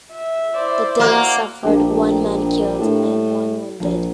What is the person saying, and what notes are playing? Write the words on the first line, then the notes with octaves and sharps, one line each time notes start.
The Danes suffered one man killed and one wounded.
E5
E4 C5 D5
A#3 F#4
A#1 A#3 D4 G4
A2
A#1 F3